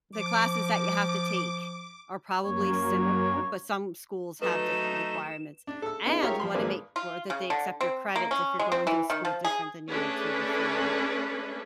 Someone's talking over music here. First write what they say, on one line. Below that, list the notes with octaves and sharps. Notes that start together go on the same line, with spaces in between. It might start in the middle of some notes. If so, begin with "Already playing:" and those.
the classes that you have to take are probably similar, but some schools have different requirements, and you wanna make sure that they accept your credits if you're going to a school different than you went to before.
F3 D6
F#2 A#3 C#5
F#3 A3 D#4 B4 E7
D4
A4 E6
B3 D#4 G#4
F4 G4 G#4 A#4 C#5 E5
F3 B5 C6
G#1 A#3 G#4 B4 C5 D5
F4
C#3
D3
C4
A#3
C#4
G#3
C4
E3
D#3
F3
G#4
A3 C#4 D4 G#4 B4